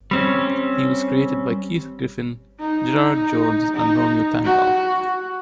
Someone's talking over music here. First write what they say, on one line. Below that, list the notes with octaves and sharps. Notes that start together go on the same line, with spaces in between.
He was created by Keith Giffen, Gerard Jones, and Romeo Tanghal.
G3 C4 C#4
D#4
D#4
F#4